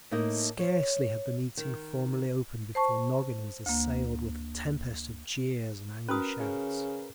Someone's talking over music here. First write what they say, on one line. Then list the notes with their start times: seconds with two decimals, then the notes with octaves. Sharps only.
Scarcely had the meeting formally opened before Nogin was assailed with a tempest of jeers and angry shouts.
0.11 A2 A#3 D#4 D#5
0.59 C#5
1.57 D#3
2.75 C5 A5 C#6
3.66 D2 A#3
6.09 C#4 F#4 A#4 B4 D#6
6.40 C#3